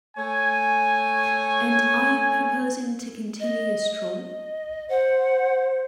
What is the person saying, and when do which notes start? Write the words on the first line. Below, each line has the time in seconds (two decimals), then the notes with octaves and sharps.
And are you proposing to continue your stroll?
0.17 A3 C#5 G#5
3.40 D#5
4.02 D#5
4.90 C5 F#5